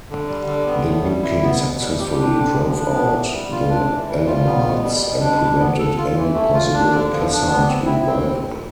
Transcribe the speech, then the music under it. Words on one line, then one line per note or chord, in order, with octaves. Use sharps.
The new king successfully drove out the Elamites and prevented any possible Kassite revival.
D3
G3
D3
B3
A2
G3
E4
B3
B2
G3
G4
D4
D3
F3
D4
B3
E3
G3
F4
D4
E3
G3
F4
B3
B2
G3
B2
D4
G3
B3
A4
F4
E3
A3
F4
D4
D3
F3
D4
B3
C4
E4
C4